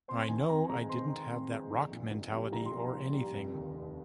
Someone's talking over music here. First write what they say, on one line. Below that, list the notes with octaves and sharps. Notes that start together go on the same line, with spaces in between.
I "know" I didn't have that rock mentality or anything.
C4 C6
D#3 G#5
F2 A#5
G#3 A#5
C4 C6
D#3
F2
G#3
A#1
A#2
A#1
G3
A#1 A#5
C6
A#2
A#5
A#1
G3
F1
D#2
F1